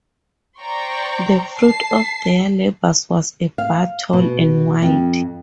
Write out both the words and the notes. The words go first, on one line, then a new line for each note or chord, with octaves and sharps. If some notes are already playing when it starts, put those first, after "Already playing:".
The fruit of their labors was a bar tall and wide.
C5 D5 G5 A#5 C6 C#6
A5 C7
F5
B2
F2